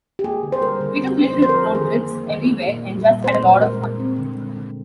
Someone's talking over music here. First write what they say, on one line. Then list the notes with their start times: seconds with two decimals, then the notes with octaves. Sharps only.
We took little road trips everywhere and just had a lot of fun.
0.19 G4
0.24 A#3 G#4
0.43 D3
0.52 C5
0.61 G3 A#4
0.81 D3
1.00 C4
1.18 D3
1.24 C5
1.37 F3
1.42 C5
1.49 A#4
1.56 D3
1.75 D#3 G#4
1.93 A#3
2.12 A#3
2.30 D#3
2.49 A#3
2.68 A#2
2.87 G3
3.05 A#2
3.24 C4 C5
3.43 A#2
3.62 G#3 A#4
3.81 A#2
4.00 C4
4.18 D3
4.37 G#3
4.56 D3